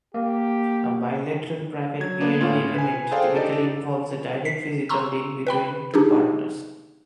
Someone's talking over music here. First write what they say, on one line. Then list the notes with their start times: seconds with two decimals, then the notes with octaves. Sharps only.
A bilateral private peering agreement typically involves a direct physical link between two partners.
0.14 A#3 G4
2.00 F#3 G#6
2.20 A#3 B3 D4
2.41 A2 B3 C#4 F4 C6 G#6
2.74 B4 G#5
3.11 G#4 A4 C5 D5 F5 G5
3.34 D4 D#4 G4 A4 D5
4.45 B6 C7
4.89 A#5 C6 C#6 E6
5.47 B4 G5 B5
5.94 D4 D#4 G4 G#4